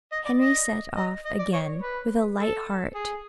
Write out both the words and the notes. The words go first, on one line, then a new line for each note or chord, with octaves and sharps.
Henry set off again with a light heart.
D#5
D5
D#5
D#5
D#5
D5
C#5
B4
A4
G#4